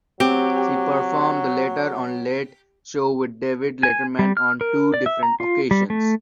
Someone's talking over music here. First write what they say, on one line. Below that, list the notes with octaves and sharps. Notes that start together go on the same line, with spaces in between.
She performed the latter on Late Show with David Letterman on two different occasions.
F#3 C4 G4
G#5
G3
F6
A#4
D5
E5
A#5
F4
G3
A3